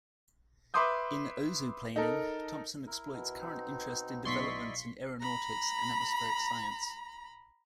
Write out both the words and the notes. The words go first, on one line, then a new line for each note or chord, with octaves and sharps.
In "Ozoplaning", Thompson exploits current interest in developments in aeronautics and atmospheric science.
B4 E5 C6 D6 D#6 G6
D#4 A4 A#4
E4 A#4
B2
C4 D#4
B1 E4 D5 D#5 C6 C#6 B6
A#5 B5